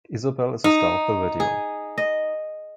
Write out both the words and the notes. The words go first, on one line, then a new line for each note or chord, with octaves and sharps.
Isabel is the star of the video.
D#4
G#4
D#5